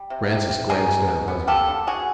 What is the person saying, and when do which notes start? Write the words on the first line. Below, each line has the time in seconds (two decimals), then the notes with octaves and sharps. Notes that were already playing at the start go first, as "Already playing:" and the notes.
Francis glanced at her husband.
Already playing: G3
0.10 C3
0.30 C3
0.49 C3
0.69 B2 G#4 A#4
0.88 G#3
1.08 B2
1.28 B3
1.47 A#3 G4 A4
1.68 D3
1.87 D3 F#4 G#4